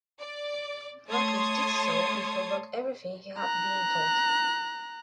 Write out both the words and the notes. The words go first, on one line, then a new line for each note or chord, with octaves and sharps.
Glaucus did so and forgot everything he had been taught.
D5
A3 C#5 A5 C6 D#6 G#6
A#5 F#6